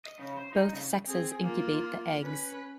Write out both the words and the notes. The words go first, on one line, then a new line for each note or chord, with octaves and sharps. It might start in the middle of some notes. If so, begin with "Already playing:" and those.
Both sexes incubate the eggs.
D#5
C#3
C5
D#4
C#3
C4 G#4
A#3 F4
C#4 B4